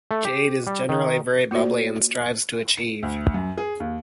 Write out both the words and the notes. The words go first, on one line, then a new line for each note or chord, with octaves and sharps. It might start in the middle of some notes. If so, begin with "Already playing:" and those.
Jade is genrally very bubbly and strives to achieve.
A3
G4
G3
D#3
A#3 F4 F#4 C5 D5
C#7
D2
F#2
G#4
D#2